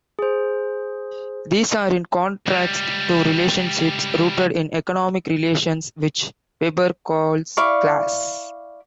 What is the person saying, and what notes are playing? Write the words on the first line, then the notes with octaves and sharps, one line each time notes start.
These are in contrast to relationships rooted in economic relations, which Weber calls class.
G#4 C5
C#2 G3
E4 D5 F5 C#6